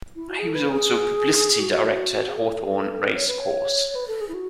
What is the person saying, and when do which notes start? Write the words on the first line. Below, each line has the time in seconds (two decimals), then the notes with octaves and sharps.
He was also Publicity Director at Hawthorne Race Course.
0.16 E4
0.29 F#4
0.39 G#4
0.47 A4
0.55 B4
0.68 G#4
1.60 F#4
2.28 G#4
2.37 A4
3.16 C#5
3.28 B4
3.39 C#5
3.95 B4
4.08 A4
4.21 G#4
4.29 E4
4.34 F#4